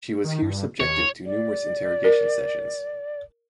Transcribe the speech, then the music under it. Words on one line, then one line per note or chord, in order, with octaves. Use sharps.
She was here subjected to numerous interrogation sessions.
D#3
G2
D#2 C#5
D5
A#4